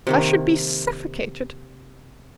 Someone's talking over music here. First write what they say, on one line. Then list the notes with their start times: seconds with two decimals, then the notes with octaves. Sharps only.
I should be suffocated.
0.07 C3 D#3 A#3